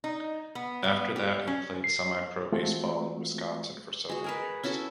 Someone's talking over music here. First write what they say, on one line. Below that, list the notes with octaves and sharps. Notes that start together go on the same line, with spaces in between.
After that, he played semipro baseball in Wisconsin for several years.
D#4
B3
B3
G4
C#4
C7
E3 G#3 A3 C4 F4 F#4
G#3 F#4
G#4 A#4 B4
C#4 E4 F#4 A4